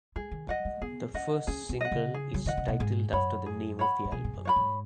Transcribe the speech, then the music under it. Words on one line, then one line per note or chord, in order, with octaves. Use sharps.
The first single is titled after the name of the album.
G#3 G#4
D#3
F#3 D#5 F#5
G#3
B3 G#4
C#4 D#5 F#5
C#4 G#4
B3
D#5 F#5
C#3
G#4
F#3
D#3 D#5 F#5
C#3
B2
G#2 G#4
F#2 C#5 F#5 B5
G#4
C#5 F#5 B5
G#2
B2 G#4
G#2
F#2
C#5 F#5 B5
G#2